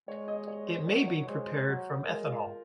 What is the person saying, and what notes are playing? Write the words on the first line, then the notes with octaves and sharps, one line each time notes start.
It may be prepared from ethanol.
G#3 C#5
D#5
C#5
C5
F#3 C#5
C#5
G#3 C5
C5
F#3
G#3 A#4
F4